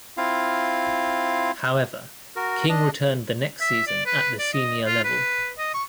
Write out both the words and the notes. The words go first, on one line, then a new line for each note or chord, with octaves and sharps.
However, King returned the next season at the senior level.
C4 E4 F4 F5
F#4 A#4
D4 D#5
E5
D5
B4
D5
D#5
F4
B4
D#5
C#6